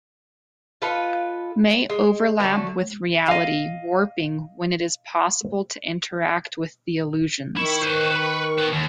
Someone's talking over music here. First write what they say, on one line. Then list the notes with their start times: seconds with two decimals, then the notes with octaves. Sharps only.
May overlap with reality warping when it is possible to interact with the illusions.
0.82 F4 A4 B4 D#5
1.90 G#3
2.40 D3 F#3 A3 B3
3.28 D#5 F5
7.57 D#3 E4 C#6
7.82 B4 C5
8.12 B4 B5
8.58 F#4 B4
8.72 D#2